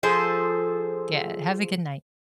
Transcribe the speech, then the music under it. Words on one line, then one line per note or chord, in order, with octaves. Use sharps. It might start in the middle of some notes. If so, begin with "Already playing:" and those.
Yeah, have a good night.
F3 G#4 A4 C5